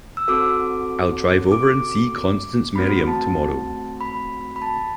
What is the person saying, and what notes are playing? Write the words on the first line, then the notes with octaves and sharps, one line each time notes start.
I'll drive over and see Constance Merriam to-morrow.
E6
C4 F#4 A4 D6
D6
A3 C4 F#4 B5
A5
B5
B5
A5